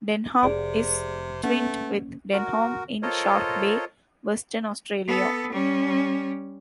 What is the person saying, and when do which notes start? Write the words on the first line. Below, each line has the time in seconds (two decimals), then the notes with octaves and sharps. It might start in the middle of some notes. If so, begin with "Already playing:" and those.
Denham is twinned with Denham in Shark Bay, Western Australia.
0.43 F1 C3 G#4 D5 D7
1.43 A3 A#3 C#4 B4 F#5
2.33 F#4 A#4
3.03 F4 A4 A#4 C5 C#5 D#5
5.07 B3 A4
5.52 G3 C#4